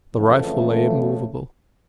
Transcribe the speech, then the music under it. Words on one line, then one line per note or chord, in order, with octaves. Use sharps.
The rifle lay immovable.
F2 C#3 E3 A3